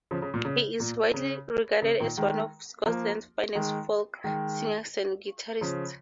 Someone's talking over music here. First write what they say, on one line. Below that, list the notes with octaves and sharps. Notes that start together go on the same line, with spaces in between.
He is widely regarded as one of Scotland's finest folk singers and guitarists.
C#3 F3
C#3
A#2
C#3
A#2
C#3
C#3
A#2 D#3
D#3 G#3
F3 A#3
D#3 G#3
D#3 G#3
C#3 F3